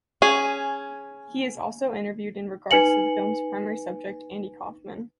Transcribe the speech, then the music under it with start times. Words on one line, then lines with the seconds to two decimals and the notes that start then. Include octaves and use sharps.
He is also interviewed in regards to the film's primary subject, Andy Kaufman.
0.22 C#4 G#4
2.71 D#4 B4 G#5 C#7 F#7